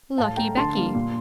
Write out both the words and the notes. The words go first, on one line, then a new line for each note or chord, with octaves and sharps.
'Lucky Becky!
A2 F5 A5
A3 G5 A#5
D3 A5 C6
G3 A#3
A#2